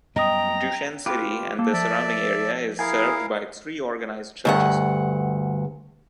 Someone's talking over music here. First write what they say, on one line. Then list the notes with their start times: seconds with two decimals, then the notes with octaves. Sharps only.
Duchesne city and the surrounding area is served by three organized churches.
0.16 F#2 G3 B3 D#5 G5 A#5 D#6
1.06 F4 G4 B4
1.59 A#3 A4
1.74 F3 D5 E5
2.79 E4 G#4 A#4 F5 G#5
4.45 D2 G2 F#5